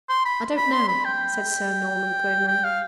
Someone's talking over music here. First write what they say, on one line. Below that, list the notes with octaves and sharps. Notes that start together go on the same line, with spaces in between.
"I don't know," said Sir Norman, gloomily.
C6
B5
B5
C6
B5
G5
G5
F5